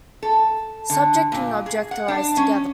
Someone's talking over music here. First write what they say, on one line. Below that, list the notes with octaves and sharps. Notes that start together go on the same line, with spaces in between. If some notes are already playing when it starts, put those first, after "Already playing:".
Subject and object arise together.
A4
D3
A#2
G#4
F#5
D4
C#4